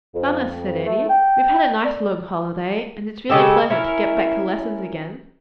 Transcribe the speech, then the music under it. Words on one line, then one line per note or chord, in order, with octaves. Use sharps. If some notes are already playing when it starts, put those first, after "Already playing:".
"Mamma," said Eddie, "we've had a nice long holiday, and it's really pleasant to get back to lessons again."
F2
A3
G5
D5
C#3 G#3 G4 A4
C#4 E4 A#4